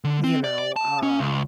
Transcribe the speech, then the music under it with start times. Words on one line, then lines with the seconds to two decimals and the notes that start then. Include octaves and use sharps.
You know, uh,
0.04 D3
0.24 C4
0.44 D5
0.59 D5
0.76 A5
1.03 C#4
1.20 C#2